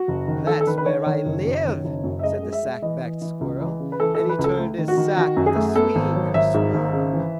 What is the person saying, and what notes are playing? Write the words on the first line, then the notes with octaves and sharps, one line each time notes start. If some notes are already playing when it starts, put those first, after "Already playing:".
"That's where I live," said the sack-backed squirrel, And he turned his sack with a swing and a swirl.
Already playing: F#4
F#1
D#3
D#3 A4
A4
D#3 B4
B4
D#3 C#5
D#3 C#5
F#1
F#2
D#3
F#1
F#2
E5
G#3 D#5
G#3
E5
G#3
E3 D#5
E3
E3
C#2
E3
C#3
B4
E3 A4
E3 A4
B4
C#2
A4
A3
D#3
F#4
D#3
D#3 F#4
F#2
G#4
A3
B3 A4
G#1
F#3
G#1 E5
G#2
G#1
C#3
E3